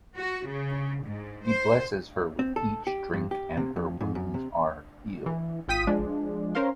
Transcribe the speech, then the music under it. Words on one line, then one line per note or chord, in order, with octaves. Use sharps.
He blesses her with each drink, and her wounds are healed.
F#4
C#3
G#2
C5
C4
A4
G4
G2
G4
C3
F2
G#2
F#2
C3
E3
G#1 F4 G5 D#6 B6 D#7
F3 G#3 D4
C#4 A#4 C5 F5 C6